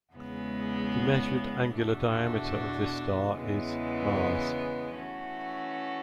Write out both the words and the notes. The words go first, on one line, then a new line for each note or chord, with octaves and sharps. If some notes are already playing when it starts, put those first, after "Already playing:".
The measured angular diameter of this star is mas.
E2 C#3 G#3 B3
E2 B2 A3 D4 F#4
E2 C#3 E3 G#3 B3
E3 A3 C#4 F#4